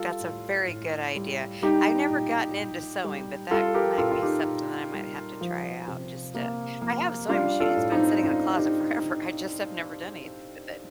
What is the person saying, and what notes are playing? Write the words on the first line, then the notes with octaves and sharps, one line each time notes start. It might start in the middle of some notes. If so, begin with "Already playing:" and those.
That's a very good idea. I never gotten into sewing, but that might be something that I might have to try out just to I have a sewing machine. It's been sitting in a closet forever. I just have never done anything with it.
Already playing: G3 F4 A4
A2
A2
G3
G3 D#4 G4
A#2
A#2
G3
G3 F4 A4
G4 A#4
A#2 F4 A4
F4
D#4 G4
A#2
G3
F3
C3
C3 A#3
F3 A#3
G3 D4 F4
F4 A4
A2
C4 D#4
A2 D4 F4
D#4 G4